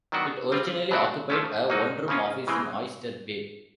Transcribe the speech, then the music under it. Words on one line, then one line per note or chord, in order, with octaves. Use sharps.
It originally occupied a one-room office in Oyster Bay.
D#3 F#3 B3 D4 F#4
G3 C4 F4
B2 F#3 A3 D4 F#4
F3 A3 C#4
F#3 A#3 D#4 F#4
C#3 F3 A#3 C#4 F4
C#3 E3 G#3 C4